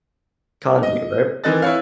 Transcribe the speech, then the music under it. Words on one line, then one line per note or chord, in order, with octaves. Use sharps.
kanji, right?
D#5
D#3 E3 C4 D#5 F#6 A6
E4 B4 C#5 F5